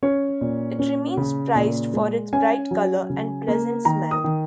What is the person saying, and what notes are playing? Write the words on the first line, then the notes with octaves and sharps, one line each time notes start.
It remains prized for its bright color and pleasant smell.
C#4 C#5
A#2
C#4
C#3
A#2
G#3
C#4 G#5
F#3
C#3
A#3
D#3 A#5
D#6
D#3